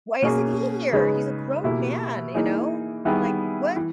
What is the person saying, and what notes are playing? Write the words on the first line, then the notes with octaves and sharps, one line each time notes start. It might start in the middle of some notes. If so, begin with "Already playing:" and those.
"Why isn't he here? He's a grown man," you know, like, "What,
B2 A#3 C#4 G#4
C#3 G#3 D#4 G#4 B4
B2 A#3 E4 G4
E3 A#3 D#4 G#4
D#3 G3 B3 E4 G#4
E3